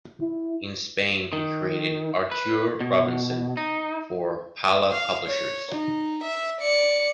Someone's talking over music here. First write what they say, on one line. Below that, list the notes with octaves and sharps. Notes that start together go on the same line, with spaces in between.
In Spain, he creates “Artur Robinson” for Pala Publishers.
E4
D#3
B4
B2
D#4
F5
C#5
D#4
E5
D5 C#7